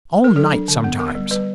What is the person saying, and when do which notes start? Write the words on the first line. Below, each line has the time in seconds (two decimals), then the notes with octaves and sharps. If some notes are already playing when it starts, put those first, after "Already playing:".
All night sometimes....
0.24 A#4
0.36 F#3 A4
0.52 D4
0.68 D3
0.84 B3
0.99 B3 A#4
1.15 G3
1.31 G3 B4